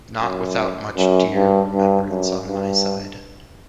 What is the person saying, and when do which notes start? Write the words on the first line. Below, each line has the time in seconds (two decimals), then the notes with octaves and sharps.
Not without much dear remembrance on my side.
0.21 F#2
0.97 F#2
1.34 G2
1.72 G2
2.10 F#2
2.48 G2